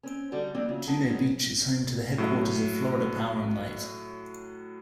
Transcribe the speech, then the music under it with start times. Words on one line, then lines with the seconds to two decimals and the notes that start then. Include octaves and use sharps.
Juno Beach is home to the headquarters of Florida Power and Light.
0.03 C4 C#4
0.32 D3 G3 D#4 F#4
0.55 F3 G3 A#3 C4 D4 D#4
0.68 E2 C#3 F#3 F4
0.87 G#4 F#5 G5 A5 A#5
1.07 F3 F#3 B3 C#4 D#4
2.18 A2 F#3